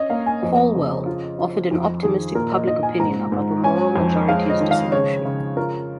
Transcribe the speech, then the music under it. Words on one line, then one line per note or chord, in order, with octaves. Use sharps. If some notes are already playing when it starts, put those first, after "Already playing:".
Falwell offered an optimistic public opinion about the Moral Majority's dissolution.
Already playing: C#4 C#5 D#5
A#3 F5
G#5
F2 D#5
C#3
F4
F4
F2
D#3 G#4
A#2 A#4
D#5
A#2 D#5
G#5
G#2 A#5
G#2
C#4 G#5
F2
G#3 F5
D#5
D#3
F5
C#3 C#5
C#3
F4 A#4